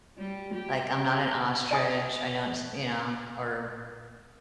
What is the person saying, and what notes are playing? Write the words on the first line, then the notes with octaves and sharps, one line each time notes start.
like, I'm not an ostrich, I don't s you know, or
G3
G4
D5 G#5 D#6